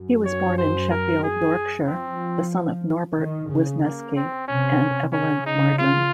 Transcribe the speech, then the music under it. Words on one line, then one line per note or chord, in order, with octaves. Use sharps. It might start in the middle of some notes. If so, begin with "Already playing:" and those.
He was born in Sheffield, Yorkshire, the son of Norbert Wisniewski and Evelyn Mardlin.
Already playing: F#2
C#5
C5
A#4
G#4
F3 C4
D#3
C#3
A#3
C4
C3 C#4
C#3 C#4
D#4
F4